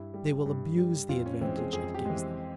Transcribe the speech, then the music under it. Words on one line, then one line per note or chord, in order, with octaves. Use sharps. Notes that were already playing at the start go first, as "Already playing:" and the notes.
They will abuse the advantage it gives them.
Already playing: G2 E4
G3
G2
G3
F2 F4
C#4
E3 G#3 C4
G#4
F2 G#4
G4
E3 G#3
C4